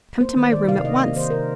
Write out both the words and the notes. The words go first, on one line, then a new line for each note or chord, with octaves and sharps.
Come to my room at once.
A#3 C5
D#3
D#3 D5
C3 F5
C3 D#5
A#3
D#3 C5
C3 A#4